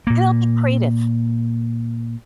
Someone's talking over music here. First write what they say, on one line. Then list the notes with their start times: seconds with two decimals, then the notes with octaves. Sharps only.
it'll be creative.
0.07 A#2 A#3